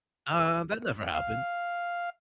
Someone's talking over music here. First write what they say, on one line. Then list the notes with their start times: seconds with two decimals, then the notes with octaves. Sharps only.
"Uh, that never happened."
1.14 F5